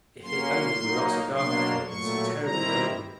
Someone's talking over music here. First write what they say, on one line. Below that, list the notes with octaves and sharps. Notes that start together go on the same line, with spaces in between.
If it only were not so dark here, and so terribly lonely!
F#3 A#3 C#4 C6
F#3 A#3 D#4
B2 F#3 A#3 D4 C6
A#2 F#3 A3 C#6
D#3 G3 C4 E4 A#5